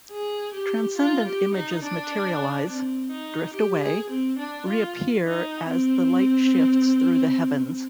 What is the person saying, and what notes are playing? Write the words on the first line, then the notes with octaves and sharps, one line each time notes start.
Transcendent images materialize, drift away, reappear as the light shifts through the heavens.
G#4
G4
F4
G4
D#4
D4
C4
D#4
G4
G#4
C4
D4
F4
D#4
C4